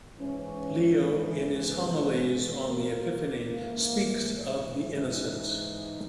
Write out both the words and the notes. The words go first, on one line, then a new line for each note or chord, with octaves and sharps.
Leo in his homilies on the Epiphany speaks of the Innocents.
G#2 E3 C#4
B3
A#3
G#2 E3 A#3
D#4